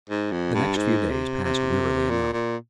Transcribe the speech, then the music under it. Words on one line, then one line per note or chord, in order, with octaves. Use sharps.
The next few days passed wearily enough.
G#2
F2
G2
G#2
C3
C3
A#2
A#2